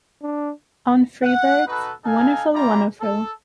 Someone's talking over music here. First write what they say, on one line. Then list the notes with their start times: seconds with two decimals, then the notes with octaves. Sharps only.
On Freberg's Wun'erful, Wun'erful!
0.22 D4
1.23 F#5
1.67 D#4 F#4 A4 B4
2.05 D#4 A4 F5 G#5
2.54 E4 F4 G4 D5 A#5
3.01 A4